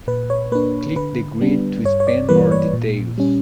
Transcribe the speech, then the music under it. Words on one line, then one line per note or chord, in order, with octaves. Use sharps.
Click the grid to expand more details.
A#2 B4
C#5
A#3 D4 B4
D3 B4
G3 B3 D4
G2 C#5
C#5
D5
E3 G3 A#3 B4
C#5
A#2
G3 C#4